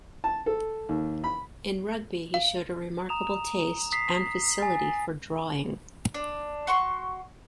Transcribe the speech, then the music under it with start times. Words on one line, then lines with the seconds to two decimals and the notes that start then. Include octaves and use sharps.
In Rugby he showed "a remarkable taste and facility for drawing".
0.24 A5
0.46 A4
0.89 D#2
1.24 B5
2.34 F5
3.09 A#5 D#6 E7 F7
3.92 D#6 B6 C7
4.59 G#5 A6
6.14 D4
6.67 F#4 C6 C#6